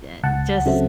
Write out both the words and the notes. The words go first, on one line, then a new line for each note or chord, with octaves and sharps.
e eh just
C#2 F#5 A5
C#3 F#3 A3 C4